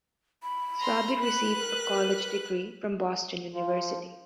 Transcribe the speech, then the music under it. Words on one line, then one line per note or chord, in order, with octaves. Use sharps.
Swaby received a college degree from Boston University.
B5
A#5 C6
B4 F#6
A#4
F3